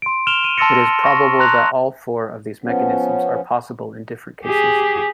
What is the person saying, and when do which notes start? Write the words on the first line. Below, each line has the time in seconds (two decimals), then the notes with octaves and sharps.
It is probable that all four of these mechanisms are possible in different cases.
0.02 C6 D7
0.27 F6 D7 E7 F7 G7
0.44 D#7
0.58 A5 C6 E6 A6 A#6 C#7
1.04 C#6 A#6
1.39 A#5 C6 C#6 F#6 A#6 F7
2.64 F3 B3 C#4
4.45 G4 G#4